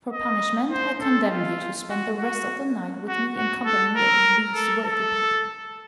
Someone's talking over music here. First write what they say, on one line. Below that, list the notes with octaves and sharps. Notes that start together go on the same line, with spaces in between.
For punishment I condemn you to spend the rest of the night with me in company of these worthy people.
D#5
C5
A4
F4
F#4
F#4
F#4
F#4
A4
A#4
A4
A4